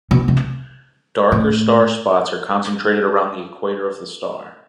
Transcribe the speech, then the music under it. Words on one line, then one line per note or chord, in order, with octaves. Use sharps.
Darker starspots are concentrated around the equator of the star.
B2
C3
A2